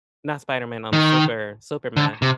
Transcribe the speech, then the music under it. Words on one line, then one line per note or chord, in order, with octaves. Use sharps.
Not Spider-Man, um, Super Superman.
D#3
D3
C3